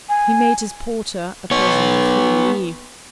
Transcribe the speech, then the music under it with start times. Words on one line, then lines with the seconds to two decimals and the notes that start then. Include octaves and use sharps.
He made his porter a present of three louis.
0.09 G#5
1.51 B3 C#5